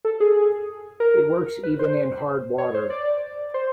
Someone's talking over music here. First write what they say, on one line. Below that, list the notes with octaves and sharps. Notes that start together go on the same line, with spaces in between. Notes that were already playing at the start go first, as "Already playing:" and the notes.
It works even in hard water.
A4
G#4
A#4
B4
C5
C#5
C5
D5
C5